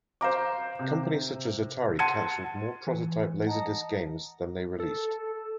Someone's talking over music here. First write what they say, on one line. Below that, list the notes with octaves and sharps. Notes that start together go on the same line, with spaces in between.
Companies such as Atari canceled more prototype Laserdisc games than they released.
C5 F5 A#5 D6
C3
F#5 A5 C6 G#6 C#7 D#7
E3
D#5 F#5 A5 A#5
A4